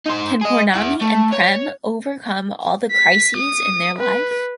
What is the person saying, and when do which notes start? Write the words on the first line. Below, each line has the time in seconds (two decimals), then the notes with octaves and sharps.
Can Pournami and Prem over come all the crises in their life?
0.06 D#4 C5
0.41 G#4 D#5
0.74 E4 F#5
1.01 A3
1.32 C#5
2.92 B6
3.37 D#6
3.99 B4